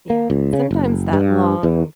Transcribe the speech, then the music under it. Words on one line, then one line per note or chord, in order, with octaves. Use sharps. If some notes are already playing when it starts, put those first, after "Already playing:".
Yeah. Sometimes that long
A#3
C#2
C#3
F#1
G2
E2